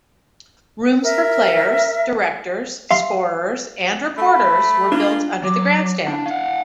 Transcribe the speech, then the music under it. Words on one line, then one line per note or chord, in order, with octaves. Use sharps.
Rooms for players, directors, scorers, and reporters were built under the grandstand.
A#4 E5
E5 F5 C6 C7
A3 B5
A#3 D4 F4
F#3 D6
D4 E4
F5 F#5